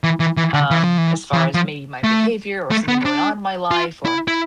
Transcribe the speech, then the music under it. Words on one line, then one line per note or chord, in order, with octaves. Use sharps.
um, as far as maybe my behavior, or something going on in my life, or,
E3
E3
E3
D3
E3
F3
E3
F3
E3
F3
A3
A3
B3
D4
F4
E4
E4